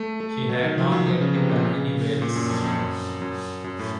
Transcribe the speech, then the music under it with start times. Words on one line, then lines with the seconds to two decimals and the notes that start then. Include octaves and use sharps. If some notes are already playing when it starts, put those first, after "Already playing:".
She had not yet taken any whales.
Already playing: A3
0.20 A3
0.49 F#3
0.63 D#3
0.78 F3
0.92 F#3
1.07 F3
1.21 C#3
1.35 C3
1.49 A#2
1.64 C#3
2.22 A#2
2.36 F#2
2.50 F2
2.64 F2
2.79 F#2
3.22 F#2
3.64 F#2
3.79 A2